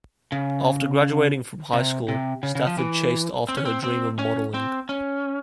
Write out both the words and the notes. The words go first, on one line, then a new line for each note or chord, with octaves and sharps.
After graduating from high school, Stafford chased after her dream of modeling.
C#3
C3
C3
C#3
C#3
F3
E3
C4
C#4
C4
C4
C#4
C4
C#4